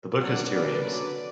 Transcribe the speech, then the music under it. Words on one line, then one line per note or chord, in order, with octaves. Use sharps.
The book has two aims.
F#3 A#3 D4 D5 F#5
G3 A#3 D4 B4 D5
D3 F#3 A#3 C#4